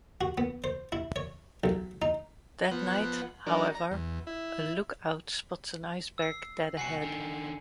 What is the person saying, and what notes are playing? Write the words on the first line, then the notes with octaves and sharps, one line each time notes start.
That night, however, a lookout spots an iceberg dead ahead.
F#4
B3
C5
E4
C#5
B1
D#4
F3 B3 F#5
F#3 D4 D#4 A#4
A#5
E2
E4
E6 C7
C2 F#4 G#5 C7 C#7
D3 D#3